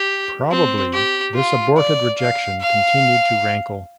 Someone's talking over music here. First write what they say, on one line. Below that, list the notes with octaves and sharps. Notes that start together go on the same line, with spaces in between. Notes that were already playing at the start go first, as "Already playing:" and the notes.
Probably this aborted rejection continued to rankle.
Already playing: G4
C4
G4
F4
D5
F5
F5